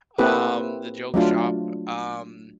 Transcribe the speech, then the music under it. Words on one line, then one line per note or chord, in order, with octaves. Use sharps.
um, the joke shop. Um,
A#3 C4 E4 G4 A4 B4
F#3 A3 D4 F4